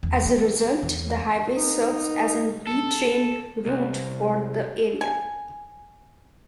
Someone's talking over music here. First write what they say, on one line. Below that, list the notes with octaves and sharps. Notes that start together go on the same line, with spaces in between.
As a result, the highway serves as a "B-Train" route for the area.
E2
B3
E2
A#3 B3 D#4
A4
C2
G#5